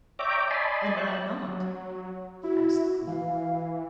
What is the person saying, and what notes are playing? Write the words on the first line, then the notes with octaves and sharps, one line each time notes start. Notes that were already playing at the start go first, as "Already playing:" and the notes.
"And why not?" asked the queen.
C#5 D5 E5 G5 A#5 D6
D5 D#5 G#5 A5 B5 C6
C#5 E5 G5 A5 C#6 F#6
F#3
E4 F#4
E3 F5